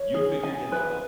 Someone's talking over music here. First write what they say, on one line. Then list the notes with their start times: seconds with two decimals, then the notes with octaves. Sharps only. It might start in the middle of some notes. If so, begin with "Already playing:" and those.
you figured it out,
Already playing: C#5
0.14 G#4
0.43 G#5
0.72 B4